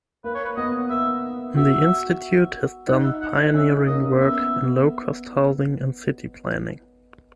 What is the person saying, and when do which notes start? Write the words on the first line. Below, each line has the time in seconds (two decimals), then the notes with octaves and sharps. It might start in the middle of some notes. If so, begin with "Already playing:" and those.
The institute has done pioneering work in low cost housing and city planning.
0.24 A#3 B4
0.34 C#5
0.45 B4
0.57 B3 D#5
0.90 A#4 E5
1.57 F#4 E5
2.87 D#4 F#5
3.04 E5
3.21 F#5
3.37 F#5
3.54 C#4 E5
3.87 A#3 D#5
4.19 B3 E5